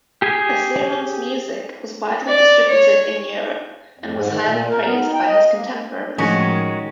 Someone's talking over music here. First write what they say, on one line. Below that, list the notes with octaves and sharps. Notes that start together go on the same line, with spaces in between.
Basiron's music was widely distributed in Europe, and was highly praised by his contemporaries.
G4 G#4 G#5
D5
C#5
F2
G#2
D#3
A#2
A#4
B3
D#4
G5
D#5
A#3
A2 D#3 F3 G#3 C#4 F#4 G#6